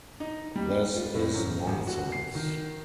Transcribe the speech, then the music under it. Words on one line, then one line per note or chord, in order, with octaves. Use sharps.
This is nonsense.
D#4
G3
F4
A2
F#2
G#1
F#4
C7
D#3